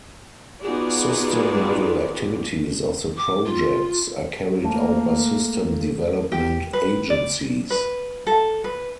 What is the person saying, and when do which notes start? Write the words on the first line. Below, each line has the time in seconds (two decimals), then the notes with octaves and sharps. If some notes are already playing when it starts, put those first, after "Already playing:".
System level activities of the projects are carried out by system development agencies.
0.61 B3 D#4 F4 F#4 G#4 D5
3.17 D6
3.45 F4
4.64 A3 A#3
6.32 G4
6.73 B4
7.10 D5
7.70 B4
8.27 A4
8.64 B4